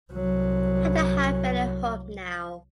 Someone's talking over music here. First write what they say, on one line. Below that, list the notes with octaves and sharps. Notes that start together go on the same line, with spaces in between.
I don't have any hope now.
C2 F#3